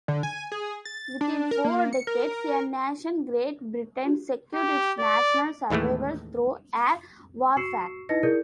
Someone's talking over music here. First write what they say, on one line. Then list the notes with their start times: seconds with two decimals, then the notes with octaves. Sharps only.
Within four decades, a nation-Great Britain-secured its national survival through air warfare.
0.08 D3
0.23 G#5
0.52 G#4
0.85 A6
1.21 D4
1.51 A#4
1.64 A#3
1.93 C#7
2.07 A#4
4.54 G4
4.99 D5
5.70 D#2 A2 E3 G#3 A3
7.56 F#4 C#6 E6 C7 C#7 E7
8.09 D#4 E4 B4 D#5 A#6 C#7
8.23 E4 G#4 A#4 D5 G6 C#7